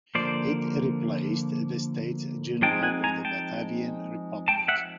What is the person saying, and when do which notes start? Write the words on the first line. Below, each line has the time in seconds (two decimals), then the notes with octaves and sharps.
It replaced the States-General of the Batavian Republic.
0.15 D3 F3 A#3 C5 D5
2.62 F3 G#3 C4 D#4 G5 A5
2.83 F#5 G#5
3.04 G#5 A#5
3.25 G5 A5
4.48 G5 A5
4.68 E5 F#5